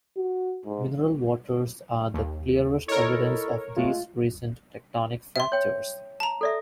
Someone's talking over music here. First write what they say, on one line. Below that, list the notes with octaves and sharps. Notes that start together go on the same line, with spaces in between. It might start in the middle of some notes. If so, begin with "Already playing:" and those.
Mineral waters are the clearest evidence of these recent tectonic fractures.
F#4
G#2
D#2
D#4 E4 A4 A#4 C#5
G#3 A3 F4
E5 C6
C#5 G5
A5 A#5
A4 D5 E5